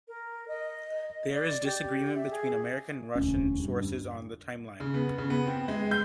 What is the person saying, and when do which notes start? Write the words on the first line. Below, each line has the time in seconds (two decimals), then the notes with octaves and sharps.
There is disagreement between American and Russian sources on the timeline.
0.08 A#4
0.48 D#5
1.34 D5
1.64 G4
2.15 E5
2.31 G#4
3.15 E1 D2 C#4
3.60 G2
4.80 C#3
4.94 B3
5.18 C#3
5.30 B3
5.47 C4
5.68 G#3
5.91 G6